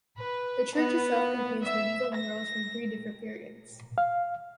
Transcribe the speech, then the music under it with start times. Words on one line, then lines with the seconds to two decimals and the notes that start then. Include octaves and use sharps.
The church itself contains medieval murals from three different periods.
0.18 B4
0.74 B3
1.62 E5
2.15 A#6
3.98 F5